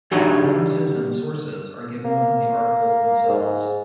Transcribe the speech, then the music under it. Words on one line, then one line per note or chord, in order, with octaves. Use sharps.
References and sources are given within the articles themselves.
F#3 G3 D4 D#4 C#5
A#3
G#2